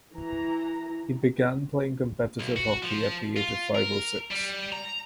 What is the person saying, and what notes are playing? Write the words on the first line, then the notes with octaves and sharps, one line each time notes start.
He began playing competitive hockey at the age of five or six.
E3 A#5
B1
F#4
F3
F4
A#4
G3
A#5